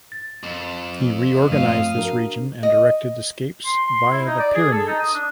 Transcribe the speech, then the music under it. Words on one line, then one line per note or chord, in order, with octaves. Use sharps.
He reorganized this region and directed escapes via the Pyrenees.
A6
F2
G2 F3 A3 F5 D#6
D4 F#4 A#4
D#5
C6
C6
E4
D#4
D5
G#4
A4
D#4
D#6
D4